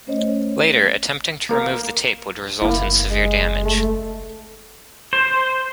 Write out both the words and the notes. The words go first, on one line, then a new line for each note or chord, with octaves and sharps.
Later, attempting to remove the tape would result in severe damage.
A3 C#4 C5 C#5 D#5
A#3 A#4
F#1 A#3 E4
G#3
A3
C5